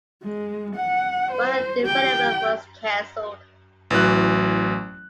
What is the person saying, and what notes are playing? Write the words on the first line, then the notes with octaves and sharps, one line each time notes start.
Further development was canceled.
G#3
F#5
C5
G4 G5
A1 E3 F#3 F#6